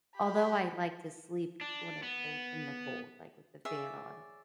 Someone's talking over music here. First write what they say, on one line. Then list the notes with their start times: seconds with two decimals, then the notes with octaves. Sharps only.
Although I like to sleep when it in the in the cold, like with the fan on.
0.16 G4 B5
1.61 D4
2.03 B3
3.65 G#4 C#5 D5 E5